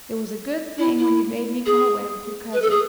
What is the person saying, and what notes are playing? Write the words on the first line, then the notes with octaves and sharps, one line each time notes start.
It was a good thing when you made me come away with your cousin.
E4
E4
G#4
B4
A4
G#4